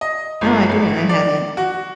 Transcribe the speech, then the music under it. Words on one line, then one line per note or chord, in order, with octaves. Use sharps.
No, I didn't I haven't.
D#5
G1
G#1
D5
F#4